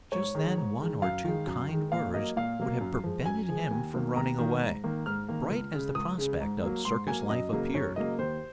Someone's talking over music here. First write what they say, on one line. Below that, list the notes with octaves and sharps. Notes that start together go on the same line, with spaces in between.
Just then one or two kind words would have prevented him from running away, bright as the prospect of circus life appeared.
G#2 C#5
D#3 G#3
G#2
D#3 G#3
F#2 F5
D#3 G#3
F#2
D#3 G#3
A#2 F5
F#3 A#3 D#5
A#2 F5
F#3 A#3
F#2
F3 G#3
F#2 G#5
F3 G#3
D#2
D#3 F#3 A#3
D#2 A#5
D#3 F#3 A#3
G#2
D#3 A#3
G#2 F6
D#3 A#3
C#2
C#3 G#3
C#2 D#6
C#3 G#3
G#2
F#3 A#3
G#2 C6
F#3 A#3 G#5
F#2 D#5
C#3 F#3 A#3
F#2 C#5
C#3 F#3 A#3 D#5
D#2 C5